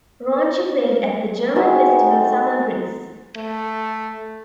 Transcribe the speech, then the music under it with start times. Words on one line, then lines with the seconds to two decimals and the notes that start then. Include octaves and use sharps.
Raunchy played at the German festival Summerbreeze.
1.56 G#3 C4 D#4 F#4
3.37 A3